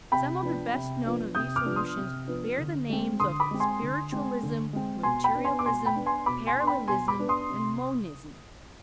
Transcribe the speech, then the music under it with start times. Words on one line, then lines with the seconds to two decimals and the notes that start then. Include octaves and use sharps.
Some of the best known of these solutions bear the names of spiritualism, materialism, parallelism, and monism.
0.12 C3 G5 B5
0.43 F3 B3 D4
0.74 C3
1.05 F3 B3 D4
1.35 C3 D#6 G6
1.56 D6 F6
1.65 F3 B3 D4
1.76 C6 D#6
1.97 C3
2.27 F3 B3 D4
2.58 D3
2.89 G#3 C4
3.20 D3 C6 D#6
3.40 B5 D6
3.51 G#3 C4
3.60 G#5 C6
3.81 D3
4.12 G#3 C4
4.43 D3
4.73 G#3 C4
5.03 B2 G#5 C6
5.24 G5 B5
5.35 B3 D4
5.45 G#5 C6
5.59 D6
5.66 B2 G#5 C6
5.85 G5 B5
5.96 B3 D4
6.06 G#5 C6
6.26 B2 B5 D6
6.47 G#5 C6
6.57 B3 D4 C6
6.67 G5 B5
6.88 B2 G#5 C6
7.08 B5 D6
7.19 B3 D4
7.29 C6 D#6
7.50 C3